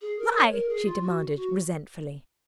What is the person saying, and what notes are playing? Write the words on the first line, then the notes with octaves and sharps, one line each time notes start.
"Why?" she demanded, resentfully.
G#4
A#4
C#5
A#4
G#4
F4
F#4
F#4